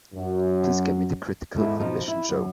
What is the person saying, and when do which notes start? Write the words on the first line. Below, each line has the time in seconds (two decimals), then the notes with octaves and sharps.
Please get me the Critical Condition show.
0.14 F#2
1.55 E2 G#2 A3 E4
1.79 B2 F3 D#4 F4
2.08 E4
2.29 F#2